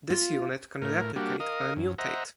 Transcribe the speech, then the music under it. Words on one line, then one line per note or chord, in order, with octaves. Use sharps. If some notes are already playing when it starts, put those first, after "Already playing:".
This unit can replicate or mutate.
F4
A2 A#4
G3 A#3 D4 F#4 G4
A#4 D#5 F5 D#6
F#2
C5 D#5 E5 F#5 A#5